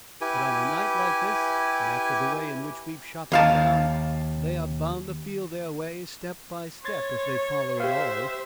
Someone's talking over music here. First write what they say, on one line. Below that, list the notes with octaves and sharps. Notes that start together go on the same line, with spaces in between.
But on a night like this, and after the way in which we have shot them down, they are bound to feel their way step by step if they follow at all.
E4 G4 B4 G#5
D#2 F5 A5
C#5 C6 G#6 A6
G4 C5 E5 F5